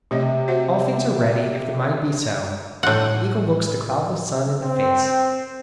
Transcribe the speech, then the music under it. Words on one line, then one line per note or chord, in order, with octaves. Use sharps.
"All things are ready if the mind be so." The eagle looks the cloudless sun in the face.
C3 A3 C#5 D#5
F#4 C5 F#5
A2 F#5
C4